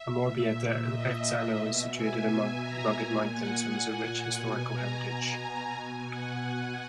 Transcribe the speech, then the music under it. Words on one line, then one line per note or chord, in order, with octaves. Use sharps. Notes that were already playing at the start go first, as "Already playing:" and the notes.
Amorebieta-Etxano is situated among rugged mountains and has a rich historical heritage.
Already playing: E5
A#2
D#5
D#5
B2 E5
G#5
A#5
A#2 G#5
F#5
B2 G#5
A#5
G#5
B2
F#5
G#5